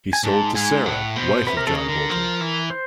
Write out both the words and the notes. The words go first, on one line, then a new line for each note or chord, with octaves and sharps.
He sold to Sarah, wife of John Bolton.
G#5
G#2 A5
G#2 G#5
A2 F#5
B2 C5
C3 B4
A#4
C#3 A4
A#4
D3
F3
E3
C5